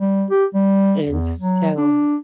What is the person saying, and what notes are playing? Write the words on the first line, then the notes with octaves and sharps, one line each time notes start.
and so
G3
G4
G3
E2
F#3
D4